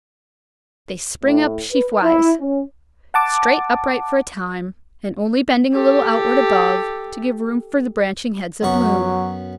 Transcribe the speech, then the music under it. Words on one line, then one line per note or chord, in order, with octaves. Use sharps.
They spring up sheaf-wise, straight upright for a time, and only bending a little outwards above, to give room for the branching heads of bloom.
A2
B4
E4
C#4
F#5 A5 D6
G4 A4
F#2 F#3 B3 C#6